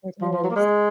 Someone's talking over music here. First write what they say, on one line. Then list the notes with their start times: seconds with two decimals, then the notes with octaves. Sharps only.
It is.
0.21 F3
0.32 F3
0.43 F#3
0.50 A#3
0.55 G#3